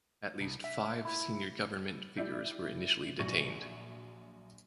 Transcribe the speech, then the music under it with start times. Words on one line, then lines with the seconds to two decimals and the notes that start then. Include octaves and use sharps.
At least five senior government figures were initially detained.
0.39 C2
0.64 E5
1.05 E4
2.17 G3 E4 D5 E5 G6
3.19 A#1 F#3 E5 C#6 A#6